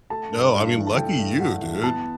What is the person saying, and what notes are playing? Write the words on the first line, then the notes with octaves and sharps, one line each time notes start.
No, I mean, lucky you, dude.
A3 A5
G2
G2
E3
A5
A3 G5
G2
G2 F#5
E3
B3 A5